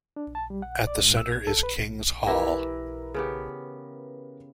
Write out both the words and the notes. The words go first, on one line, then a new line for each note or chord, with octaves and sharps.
At the centre is King's Hall.
D4
A5
G3
F#5
D5
G#2
E6
G#6
A4
B4
E3 E4 G4 A#4 B4 A#5
C#3 B3 G4